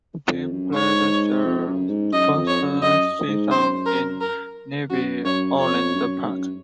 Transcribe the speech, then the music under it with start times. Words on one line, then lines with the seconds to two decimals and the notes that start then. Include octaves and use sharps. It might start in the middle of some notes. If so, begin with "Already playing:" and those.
The team played their first season in nearby Overland Park.
0.28 F2
0.51 F#2
0.73 G#2 C#5
1.44 F2
1.58 F2
1.67 F#2
1.89 G#2
2.12 F#2 D#5
2.36 F2
2.47 C#5
2.60 F#2
2.82 F#2 D#5
3.28 G#2
3.52 F#2 C5
3.86 A#4
4.21 A#4
4.90 F#2 F#4
5.25 F#2 C#5
5.59 F2 C#5
5.95 F#2
6.25 G#2
6.30 F#2